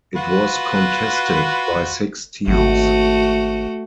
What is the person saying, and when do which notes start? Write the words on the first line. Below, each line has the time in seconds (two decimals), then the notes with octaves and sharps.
It was contested by six teams.
0.16 F4 F#4 B4
2.48 G#1 A3 F#4